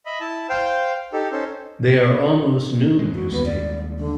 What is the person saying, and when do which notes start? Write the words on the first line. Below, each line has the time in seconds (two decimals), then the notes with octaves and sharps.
They are almost new, you see.
0.06 D#5 E5 B5
0.20 E4 A5
0.49 C5 F5 G5
1.13 D#4 G4 A4
1.31 C#4 D#4 A4 C5
2.99 E3 G#3
3.15 F#4
3.31 D#2 G3 G#3 B3
3.45 D5
3.98 D3